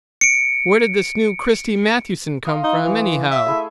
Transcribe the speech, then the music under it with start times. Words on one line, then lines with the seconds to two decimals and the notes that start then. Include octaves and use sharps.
Where did this new Christy Mathewson come from, anyhow?
0.21 C#7 D7
2.45 D#5 F5 C6
2.64 D#4
2.84 E3
3.31 E5
3.46 A3 E4 G#4